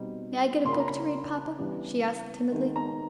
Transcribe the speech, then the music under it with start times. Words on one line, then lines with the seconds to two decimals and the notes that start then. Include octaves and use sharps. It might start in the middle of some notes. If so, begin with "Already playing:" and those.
"May I get a book to read, papa?" she asked timidly.
Already playing: B2 G3 C4 D#4
0.65 C#3 F3 A#3 C6
0.73 B5
0.80 A#5
0.88 B5
1.58 C#3 E3 G3 B3 D4
2.52 D#3 G#3 B3
2.76 A#5